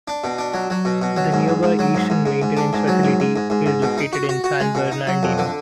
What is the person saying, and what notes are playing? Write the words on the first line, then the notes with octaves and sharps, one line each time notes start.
The nearby Eastern Maintenance Facility is located in San Bernardino.
D4
B2
D4
F#3
F#3
B2
B2
F#3
G#2
G#2
G#2
F#3
G#2
G#2
G#2
G#2
D4
G#2
F#3
G#2
G#2
G#2
G#2
G#2
B2
D#4
F#4
F#4
F#4
G#3
B2
D#4
F#3
F2
D3